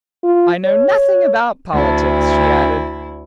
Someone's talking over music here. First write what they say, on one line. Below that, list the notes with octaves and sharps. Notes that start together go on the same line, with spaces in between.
"I know nothing about politics," she added.
F4
C#5
D2 E4